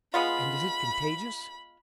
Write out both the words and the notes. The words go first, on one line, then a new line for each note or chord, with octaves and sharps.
"And is it contagious?"
G#3 B3 F4 B5